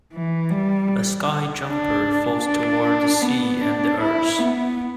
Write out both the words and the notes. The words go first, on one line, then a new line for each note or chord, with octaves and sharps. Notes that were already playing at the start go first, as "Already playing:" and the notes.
A sky jumper falls toward the sea and the earth.
E3
G3
D4
D4
B3
D4
E4
B3